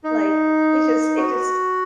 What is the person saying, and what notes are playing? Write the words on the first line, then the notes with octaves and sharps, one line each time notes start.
like, it just it just
D#4
F#4